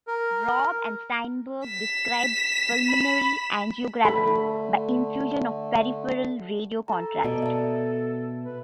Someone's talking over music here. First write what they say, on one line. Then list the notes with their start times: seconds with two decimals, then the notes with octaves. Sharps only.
Robb and Steinberg described pulmonary angiography by infusion of peripheral radiocontrast.
0.07 A#4
1.65 B6 E7
2.88 B5
4.05 D3 A3 A4 B5
6.88 A4 A#5
7.24 B2 D5 D#5 A5
7.42 E5 A5
8.45 B4